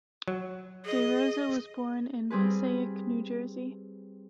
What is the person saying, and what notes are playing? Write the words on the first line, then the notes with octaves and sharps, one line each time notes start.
DeRosa was born in Passaic, New Jersey.
F#3
G#4 D#5
G3 C4 G#4 B4